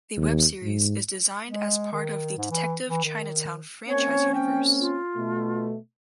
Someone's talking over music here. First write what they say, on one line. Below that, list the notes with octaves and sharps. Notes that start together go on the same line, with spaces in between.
The web series is designed as part of the "Detective Chinatown" franchise universe.
D#2
G#2
G#3
D#3
G#2
E3
E3
D#3
A#3 C4 C#4 C#5
G5
F4
B2 A3